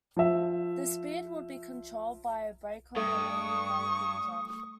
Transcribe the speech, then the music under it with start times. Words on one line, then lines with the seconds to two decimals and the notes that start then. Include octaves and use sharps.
The speed would be controlled by a brake on the main winding drum.
0.16 F3 E5
2.96 G2 A3 C#6 D#6